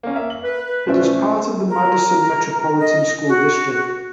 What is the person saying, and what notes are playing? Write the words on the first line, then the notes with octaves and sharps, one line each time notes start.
It is part of the Madison Metropolitan School District.
A#3 C#4
A#4 E5
F#7
B4
B2 A3 C#4 C5 D5 E5
A#4
D#5
F#4